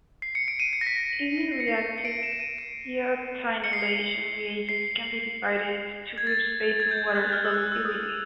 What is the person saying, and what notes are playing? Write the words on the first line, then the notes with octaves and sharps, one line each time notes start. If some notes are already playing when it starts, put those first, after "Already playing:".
Amine-reactive biotinylation reagents can be divided into two groups based on water solubility.
C7
C#7
D7
D#7
C#7
A#6
B6
C7
C#7
C7
C#7
D7
E7
D7
D#7
D7
C#7
C7
C#7
C7
G#6
A6
G#6
G6
G#6
F#6
F6
E6
F#6
F6
E6
D#6